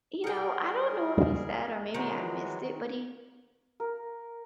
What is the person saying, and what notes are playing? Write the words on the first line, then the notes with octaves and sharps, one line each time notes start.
you know, I don't know if he said, or maybe I missed it, but he
G3 G#4 A#4 F#5 G5
D#3 E3 F#3 G#3
A#4